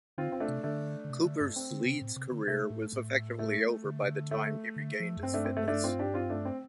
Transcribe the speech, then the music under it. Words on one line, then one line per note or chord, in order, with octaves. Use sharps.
Cooper's Leeds career was effectively over by the time he regained his fitness.
D3 C4 F4
C4
A3 D4
C3
D3 A3 D4
D3
C3
D3
G2
C4
D3
C3
A2
C3
D3
C3 A3
A2
A2
A3
D3
C3
D3
A3
D3
F3
F2
G2 C4
A3 D4
C4
A3
A3 D4
C4 F4
D4 G4
C4 F4
A3 D4
C4